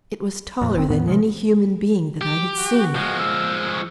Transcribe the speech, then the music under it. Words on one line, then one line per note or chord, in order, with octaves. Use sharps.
It was taller than any human being that I had seen.
F2 A#2
F#1 A#2 C4
E2 A2 D#3 B3
C3 F3 G#3
G4
F#4
F#4
F3 G#3
E6
C#6